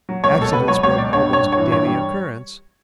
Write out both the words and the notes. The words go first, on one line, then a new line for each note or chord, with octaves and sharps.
Accidents were of almost daily occurrence.
F#3
C#2 C#5
B2 A4
C#2 B4
F#3 C#5
C#2 C#5
B2 D5
G2 C#5
G3
C#5
G2
C#5
E3
G2 C#5
G3